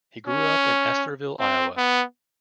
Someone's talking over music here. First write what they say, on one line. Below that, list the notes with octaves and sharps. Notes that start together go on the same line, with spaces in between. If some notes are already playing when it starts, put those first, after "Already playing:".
He grew up in Estherville, Iowa.
C#4
C4
B3